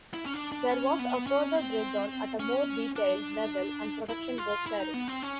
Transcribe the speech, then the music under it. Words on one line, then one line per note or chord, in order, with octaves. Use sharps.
There was a further breakdown at a more detailed level and production worksharing.
E4
C#4
D4
D4
C#4
B3
C#4
C4
C#4
D4
E4
F4
E4
D#4
B3
C4
C#4